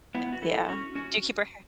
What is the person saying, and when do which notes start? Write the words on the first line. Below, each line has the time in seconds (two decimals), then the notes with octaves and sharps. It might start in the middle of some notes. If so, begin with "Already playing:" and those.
Yeah. Do you keep her hair
0.15 B3 E4
0.32 F#4
0.42 E4 A4
0.68 C#4 F#4
0.95 C#4 F#4